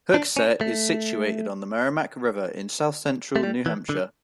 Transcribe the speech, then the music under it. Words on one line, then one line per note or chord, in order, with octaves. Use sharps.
Hooksett is situated on the Merrimack River in south-central New Hampshire.
D4
C#4
A3
A3
G3
E3
D3